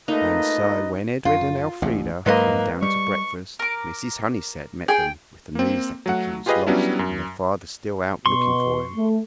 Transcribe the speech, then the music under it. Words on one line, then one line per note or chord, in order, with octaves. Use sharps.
And so, when Edred and Elfrida came down to breakfast, Mrs. Honeysett met them with the news that Dickie was lost and their father still out looking for him.
A3 A#3 D#4 F4 B4 D#5
F#2 F4
A1 D2 A2
G#2 F#3 G#3 A#3 B4 D#5
G3 C#6
A#4 D6
G#4 G5
A#3 C4
F#3 A3 F#5
F4 G4 G#4 B4 D#5 F5
F#3 G3 B3 C#4 D4 E4
F#2
B2 C6 C#6
A3